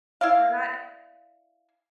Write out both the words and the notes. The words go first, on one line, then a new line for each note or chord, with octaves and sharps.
Or not
E4 D5 F5